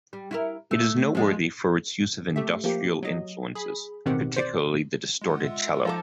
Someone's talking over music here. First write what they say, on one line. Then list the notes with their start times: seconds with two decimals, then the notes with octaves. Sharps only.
It is noteworthy for its use of industrial influences, particularly the distorted cello.
0.13 G3
0.31 E4 F4 A#4
0.71 A3
1.15 F3 G#3 D4
2.36 A3 G4 E5
2.64 F3 A#3 G4
3.03 F#3 D#5
3.55 G#4 B5
4.06 A1 B2 D#3 C4 G4 F#5
4.36 C5 D5
5.22 G#3 F4 F#5
5.44 E5
5.85 F3 D#4 A4 D6